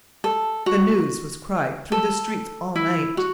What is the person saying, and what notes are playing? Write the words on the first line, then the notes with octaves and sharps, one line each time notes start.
The news was cried through the streets all night.
A4
F#4
A4
E4
F#4